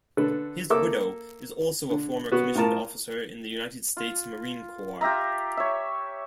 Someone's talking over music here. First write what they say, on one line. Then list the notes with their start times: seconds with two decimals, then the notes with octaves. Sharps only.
His widow is also a former commissioned officer in the United States Marine Corps.
0.17 D3 A4 B4
0.70 A#3 A4 E5 D6 E6
1.90 D3
2.32 B3 F#4
2.55 A2 F4 A#4 A5
3.97 F4
5.01 F4 G4 E5 A#5
5.57 C#5 E5